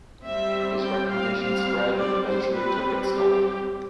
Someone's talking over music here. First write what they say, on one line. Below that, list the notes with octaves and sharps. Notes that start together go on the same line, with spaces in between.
His recognition spread and eventually took its toll.
G3 C4 E5
G5
F5
G3 C4 F5
D5
C5
G3 C4 B4
G4